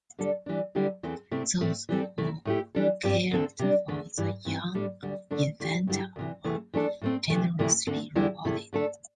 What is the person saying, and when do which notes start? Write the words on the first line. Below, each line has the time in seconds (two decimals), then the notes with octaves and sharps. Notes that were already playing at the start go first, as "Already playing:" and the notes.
Those who cared for the young infanta were generously rewarded.
0.19 D3 G3 D4 A4
0.46 E3 G3 D4
0.75 D3 G3 E4 G4
1.03 E2 E3 C4 A4
1.31 C3 A3 C4 E4
1.61 A2 A3 C4
1.89 E3 G3 C4 A4
2.18 C3 A3 E4
2.45 A2 A3 E4 G4
2.75 E3 G3 D4 A4
3.03 G2 G3 C4 G4
3.31 D2 D3 C4 A4
3.59 C3 G3 D4
3.88 E2 D3 A3
4.18 G2 E3 G3
4.45 G2 E3 C4
4.74 A2 G3 D4 A4
5.03 D2 D3 G3
5.31 D3 A3 D4 A4
5.60 D3 A3 E4 G4
5.87 G2 D3 G3 E4 G4
6.16 D2 C3 E3
6.44 E2 C3 E3 A3
6.73 E3 A3 D4 A4
7.01 A2 A3 C4
7.30 C3 E3 A3
7.59 D2 C3 E3 A3 E4
7.87 D2 D3 C4 A4
8.15 E2 D3 G3 E4 G4
8.45 E2 C3 A3 E4 A4
8.73 D3 A3 D4 A4